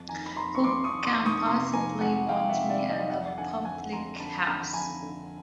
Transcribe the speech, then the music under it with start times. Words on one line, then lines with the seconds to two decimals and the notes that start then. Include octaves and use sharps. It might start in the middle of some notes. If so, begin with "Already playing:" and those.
Who can possibly want me at the public-house?
Already playing: F2
0.09 D#3 G#5 A#5
0.26 B5
0.36 F2 A#5 C6
0.55 C#6
0.64 F2 C6 D6
0.84 C#6 D#6
0.91 F2
1.05 C6 D6
1.19 D#3
1.25 C#6 D#6
1.46 C3 A#5 C6
1.73 F2 G#5 A#5
2.01 F2 F#5 G#5
2.28 F2 F5 G5
2.49 E5 F#5
2.55 C3
2.69 D5 E5
2.83 D#3
2.90 D#5 F5
3.10 F2 E5 F#5
3.38 D3 F#5 G#5
3.65 F2 F#5 G#5
3.92 F2 A#5 C6
4.20 D3 A5 B5
4.47 D3 A#5
4.60 B5
4.73 F2 G#5 A#5
5.02 D3